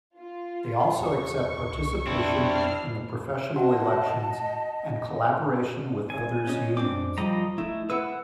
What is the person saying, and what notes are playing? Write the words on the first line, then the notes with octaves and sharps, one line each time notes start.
They also accept participation in the professional elections and collaboration with others unions.
F4
E2 C#6
C2
F2 C4 D4 E4
F6 C7
F#4 D#5 F#5 A5
G#5
C#4 D#5
C4 D4 D6
F3 G3 D#5 A#5
A3 E4
B4 E5 F#5 E6